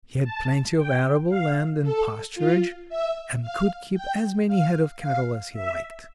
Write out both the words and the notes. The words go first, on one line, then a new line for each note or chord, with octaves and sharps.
He had plenty of arable land and pasturage, and could keep as many head of cattle as he liked.
A5
G5
F5
A4
F4
E5
F5
G5
F5
F5
E5